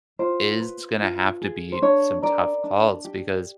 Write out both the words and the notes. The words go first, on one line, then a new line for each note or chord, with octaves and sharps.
is gonna have to be some tough calls because
F4 C5
B4
F4
G#4
C5
D4 C#5
A#4 D5
D4
G4